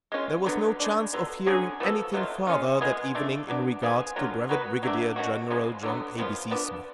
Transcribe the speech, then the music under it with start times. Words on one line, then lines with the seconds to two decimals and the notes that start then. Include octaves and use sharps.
There was no chance of hearing anything farther that evening in regard to Brevet Brigadier General John A. B. C. Smith.
0.12 G#3 C#4 F4
0.46 D3 F#3 B3
0.80 C#3 G#3 D4
1.13 F#3 B3 F4 A4
1.46 D3 F#3 C#4 G#4
1.80 F3 B3 F#4 A4
2.14 B2 F#3 A3 F4
2.47 G#3 C#4 F4
2.81 G#3 B3 F4 G#4
3.15 A3 D4 F4
3.48 F#3 B3 D4
3.82 F3 B3 F4 G#4
4.16 D3 F#3 C#4 F4
4.49 F#3 B3 F#4 B4
4.83 F#3 A3 D4
5.16 B2 G#3 C#4 F#4
5.50 C#3 F3 G#3
5.83 D3 F#3 B3
6.18 C#3 F3 B3 F4
6.51 F3 B3 D4